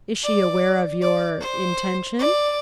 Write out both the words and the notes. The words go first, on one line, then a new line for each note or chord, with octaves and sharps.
"Is she aware of your--intention?"
D5
D5
C5
D5